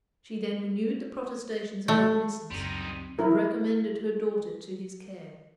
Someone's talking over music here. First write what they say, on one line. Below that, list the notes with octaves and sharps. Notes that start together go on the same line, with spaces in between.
She then renewed the protestations of her innocence, and recommended her daughter to his care.
A3
C#2 F#2 G3 C4 D#4
E4 A#4